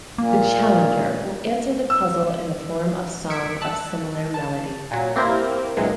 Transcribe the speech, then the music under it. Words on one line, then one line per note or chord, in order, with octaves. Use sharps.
The challenger will answer the puzzle in the form of song of similar melody.
A#2 A#3
E6
E6 G#6 B6 C#7 D7
A5 E6 F#6
A5
A#2 F#3
A#3 C4 E4 G4 A#4 C5
C#2 A#2 D#3 E3 F#3 G#3